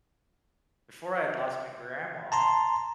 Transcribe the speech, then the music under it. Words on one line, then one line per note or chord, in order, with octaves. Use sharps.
before I'd lost my grandma
A5 A#5 C6